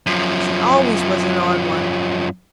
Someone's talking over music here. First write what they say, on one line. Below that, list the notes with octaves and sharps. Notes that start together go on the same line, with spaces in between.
She always was an odd one.
F#2 F3